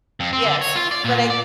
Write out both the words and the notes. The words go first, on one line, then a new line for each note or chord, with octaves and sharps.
Yes, but I
F2
C4
D3
C#5
F4
D5
A#2
D5